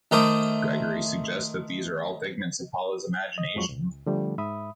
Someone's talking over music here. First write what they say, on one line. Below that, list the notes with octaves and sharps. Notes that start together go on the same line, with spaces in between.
Gregory suggests that these are all figments of Paula's imagination.
D#3 A3 A#4 C5 D6 D#6
D#5
F2 F3 F#3 G#3 C#6
C#2
D3 F3 G3 A3
G#2 E5 B5 D#6